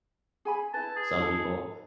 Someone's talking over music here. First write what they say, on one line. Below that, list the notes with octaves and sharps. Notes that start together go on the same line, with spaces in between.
some people.
G#4 G#5 B5
E4 B4 A5
G#4
D#4 A4